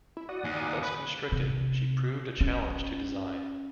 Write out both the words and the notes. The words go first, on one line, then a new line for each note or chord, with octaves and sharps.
Thus constricted, she proved a challenge to design.
E4
F#4 D5 F#5 D#6
D#2 G#5
B4 B5
C3
C#4